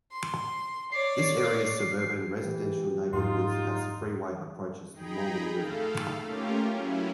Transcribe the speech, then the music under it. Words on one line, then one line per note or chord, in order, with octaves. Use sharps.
This area is suburban residential neighborhoods as the freeway approaches the Maumee River.
C6
C#5 D5 C7
E3 G4
F2 G#2 D#4 F4 C6
D#4 G#4 G5 A#5 B5
A3 A4 F5
A3 A#3 C#4 F4 G4 A#4
F#3 C#4 E4